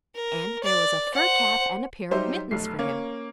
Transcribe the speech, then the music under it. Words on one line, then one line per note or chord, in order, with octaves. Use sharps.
And there was a fur cap and a pair of mittens for him!
A#4
D5
C5 F#5
F#3 G3 D#4 G4 C5 E5
F1 B1 A3 C7
A#3 C#4